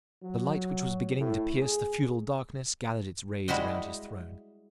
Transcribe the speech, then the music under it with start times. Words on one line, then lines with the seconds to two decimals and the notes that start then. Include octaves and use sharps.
The light which was beginning to pierce the feudal darkness gathered its rays around his throne.
0.23 F#3
1.19 A2
1.60 G#4
3.48 G3 G#3 E4 F#4 D#5